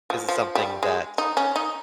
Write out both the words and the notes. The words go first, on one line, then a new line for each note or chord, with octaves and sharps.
This is something that,
F3
F3
G3
G#3
D#4
C#4
D#4